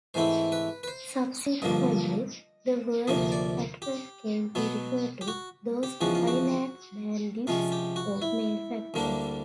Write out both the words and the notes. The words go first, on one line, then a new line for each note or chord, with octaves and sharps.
Subsequently, the word 'cateran' came to refer to those Highland bandits or malefactors.
G#2 E3 A3 C4 E4 C5
B4
B4
C5
G2 D3 F3 A#3 D#5
D2 C3 F3 A#3 D#4 D#5
D5
G4
B2 F#3 B3
G4
F#4
G4
E2 C#3 F3 G#3 F#4
F4
F#4
C3 F3 G#3 C#4 F4
G4
F#4
E4
D2 D3 G3 A#3 D4